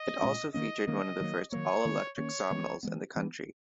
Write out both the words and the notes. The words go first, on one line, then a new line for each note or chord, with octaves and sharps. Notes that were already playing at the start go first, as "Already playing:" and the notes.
It also featured one of the first all-electric sawmills in the country.
Already playing: D#5
A#2 G#3 C#4
D#3 A#3 C#4 D#5
D#3 A#3 C#4 D#5
D#3 F#3 A#3
D#3 F#3 A#3 C#5
D#3 A#3 C#4
D#3 A#3 C#4 C#5
E3 G#3 B3
E3 G#3 B3
E3 B3